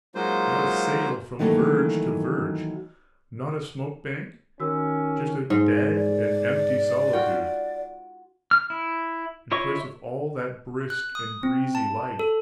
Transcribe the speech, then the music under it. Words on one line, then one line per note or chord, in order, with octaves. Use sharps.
Not a sail, from verge to verge, not a smoke-bank--just a dead and empty solitude, in place of all that brisk and breezy life.
F#3 G#3 A#3 D#4 F4 C5
D#3 E3 F#3 A3 A#3
D#3 C#4 F#4 E6
G#2
D5
F4 F#4 G5
F6
E4
E4 F4 C#5 D#5 C#6
F#6
D#6
C4
A5
A4